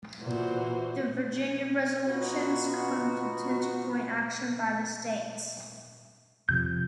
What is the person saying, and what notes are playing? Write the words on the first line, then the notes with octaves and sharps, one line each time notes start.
The Virginia Resolutions contemplate joint action by the states.
A#2 E3 F#4 C5
B3 D#4 F4 F#4
F2 C3 F3 G6